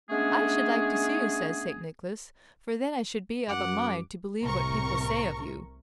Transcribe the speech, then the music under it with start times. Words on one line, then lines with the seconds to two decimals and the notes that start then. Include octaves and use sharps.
"I should like to see you," says St. Nicholas; "for then I should be of a mind to believe what people say of you."
0.10 G#3 A3 B3 C#4 D4 G#4
3.49 F#2 F#5 D6
4.42 C2 A2 C3 A#4 C#6